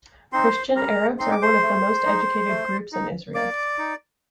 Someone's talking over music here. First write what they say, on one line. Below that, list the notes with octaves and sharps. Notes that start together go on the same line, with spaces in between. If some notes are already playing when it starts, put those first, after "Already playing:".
Christian Arabs are one of the most educated groups in Israel.
C4 D#4 C5 C6
G3 A#4 A#5
C4 D#4 C6
D6
C5 C6
A3
D#4
A3
D#4
A#3 D5 D6
D#4